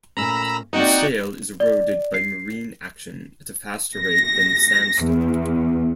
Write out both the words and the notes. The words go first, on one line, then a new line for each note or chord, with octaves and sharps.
The shale is eroded by marine action at a faster rate than the sandstone.
A#2 A3 C#4 A#5 B5 E6
A#3 C4 D#4 F#4 D5 D#5 F#5 G5
D5
C7
A#6
E2